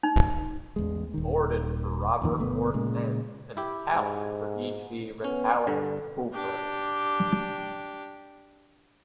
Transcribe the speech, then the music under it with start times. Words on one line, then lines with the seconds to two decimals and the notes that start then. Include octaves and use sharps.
"Mordon" for Robert Morton Nance, and "Talek" for E. G. Retallack Hooper.
0.03 D#4
0.76 A1 E2 G#3
1.14 D#1 D#3
2.22 A1 F2 D#3 A#3
2.38 G1 B2 A3 B3
2.74 A#2 C#3 G#3
3.57 E4 G4
3.92 G#2
5.24 B3 C#4
5.67 G2 D3 A4
6.33 D4 G4